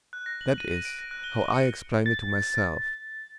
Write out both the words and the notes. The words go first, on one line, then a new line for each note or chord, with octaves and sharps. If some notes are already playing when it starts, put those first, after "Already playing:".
That is how I explain it to myself.
F#6
A#6
F#7
D#7
A#6
D7
A#6
F#6
G7
G7
C#7
A6